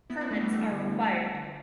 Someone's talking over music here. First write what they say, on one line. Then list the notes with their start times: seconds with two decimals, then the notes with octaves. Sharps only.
Permits are required.
0.10 B3 E4
0.21 B3 E4
0.31 A3 D4
0.41 G3 B3
0.51 E3 A3
0.72 D3 G3
0.88 D3
0.93 E3
1.34 D3